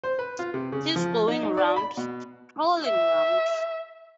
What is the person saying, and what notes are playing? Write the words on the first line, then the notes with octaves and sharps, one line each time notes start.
He's going round — prowling round.
C5
B4
F4
C3
C#3
F3
D#4
D#4
D5
B5
B2
E5